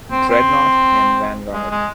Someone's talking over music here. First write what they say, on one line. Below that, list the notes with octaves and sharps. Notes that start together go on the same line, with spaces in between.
"Dreadnought" and "Vanguard".
C4
C4
G#3
G#3